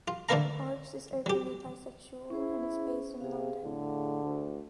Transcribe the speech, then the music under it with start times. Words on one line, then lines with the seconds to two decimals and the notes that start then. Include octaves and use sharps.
Parks is openly bisexual and is based in London.
0.08 F4
0.29 D3 A3 A#3 A#4 F5 A#5
1.26 F#3 G4
2.30 C#4 E4 G#4 C5
3.21 C3 G#4 F5
3.64 A2 D3
4.23 D2